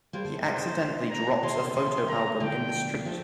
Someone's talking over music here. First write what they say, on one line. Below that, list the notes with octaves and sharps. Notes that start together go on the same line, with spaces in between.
He accidentally drops a photo album in the street.
G3 A#3 C5
D3
C3
C3 E3 C5
C3
D3
D3
A#5
C3 E3 C6
D3
D3
C3 C6
D3
C3
D3 A#5
D3 F3 G5
A#3
F3 A3